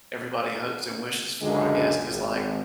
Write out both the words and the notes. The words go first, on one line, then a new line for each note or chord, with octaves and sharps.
everybody hopes and wishes for, I guess, 'cause, like
C#2 F#2 D3 G#3
G#1